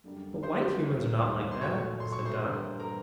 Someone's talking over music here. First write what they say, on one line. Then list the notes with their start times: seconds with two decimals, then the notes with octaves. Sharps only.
"But white Humans are not like that," said Dot.
0.04 F#2 D3 G3 A#3
0.43 F#2 D3 G3 A#3 C5 C6
0.82 D#2 D#3 G3 A#3
1.22 D#2 D#3 G3 A#3
1.51 C6
1.61 A#2 F#3 A3 C#5 C#6
2.00 A#2 F#3 A3 C6
2.12 C#6
2.25 C5 C6
2.40 G2 E3 G3 A#3
2.80 E3 G3 A#3 A#4 A#5